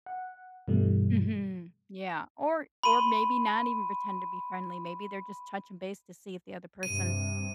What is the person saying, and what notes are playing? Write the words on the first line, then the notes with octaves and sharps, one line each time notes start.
Mhm. Yeah. Or or maybe not even pretend to be friendly, maybe they're just touching base to see if the other person
F#5
G2 B2 E3 G3 A3
B5 C6 D#7
G2 C3 D#7